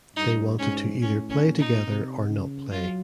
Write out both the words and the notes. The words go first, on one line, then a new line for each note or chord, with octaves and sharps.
They wanted to either play together or not play.
G2 D#4
G#2 C#4
A2 C#4
C#4
A#2
D#4
C3
C#3
F#3 F4